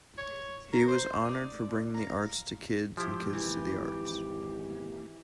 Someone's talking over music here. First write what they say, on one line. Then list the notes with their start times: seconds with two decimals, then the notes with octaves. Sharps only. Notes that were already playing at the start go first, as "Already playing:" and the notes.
He was honored for bringing the arts to kids and kids to the arts.
0.18 C#5
0.72 A#4
0.88 C5
1.25 D#4 D5
1.94 F5 A#5
2.97 F3 E4 G4
3.33 G#1 E3